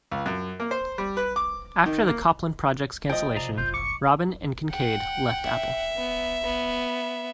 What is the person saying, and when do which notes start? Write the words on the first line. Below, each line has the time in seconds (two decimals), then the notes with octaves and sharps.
After the Copland project's cancellation, Robbin and Kincaid left Apple.
0.11 C#2
0.26 F#2
0.60 A#3
0.71 C5
0.98 G3
1.17 B4
1.36 D6
1.86 D#3
2.07 A#3
3.10 F3 A3 B3 D#5 G5
3.36 C3 F4 G#4 D5 A#5
3.58 F#1 C2 F4 G6
3.74 C#6 D6 C#7
4.70 F#5 G5
5.46 E5
5.96 B3
6.43 B3